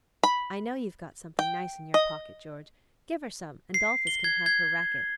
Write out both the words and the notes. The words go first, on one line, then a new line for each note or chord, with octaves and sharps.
I know you've got something nice in your pocket, George; give her some, and 'Dolphus can have her racket.
B5
G5
D#5
C7
G7
G#6
G#6